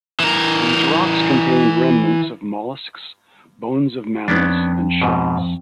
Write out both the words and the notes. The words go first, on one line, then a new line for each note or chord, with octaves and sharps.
These rocks contained remnants of molluscs, bones of mammals, and shells.
E3 A#4
F2 B3 C#4 D4
G#2 B2